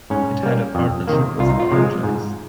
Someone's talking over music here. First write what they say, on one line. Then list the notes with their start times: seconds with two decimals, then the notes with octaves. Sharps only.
It had a partnership with Barclays.
0.10 G#2 C#4
0.43 G3 A#3
0.75 F2
1.07 C3 D#3 A#3
1.39 C2 F4
1.49 D#4
1.60 F4
1.72 C3 F3 G#3
2.03 G#2